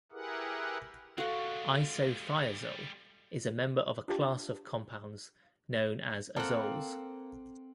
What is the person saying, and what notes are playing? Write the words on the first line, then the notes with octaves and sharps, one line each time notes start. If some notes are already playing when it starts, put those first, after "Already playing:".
Isothiazole is a member of a class of compounds known as azoles.
E4 G4 G#4 A#4 B4 F#5
G3 G#3 F#4 A4 F5 F#5
D4 F4 G4 A5
A#3 C4 A4 F#5 F6